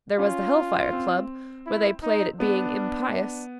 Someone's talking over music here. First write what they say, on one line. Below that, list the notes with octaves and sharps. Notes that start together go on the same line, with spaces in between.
There was the Hell-fire Club, where they played at being impious.
C#4 F4
C4
E4
D#4
B3 D4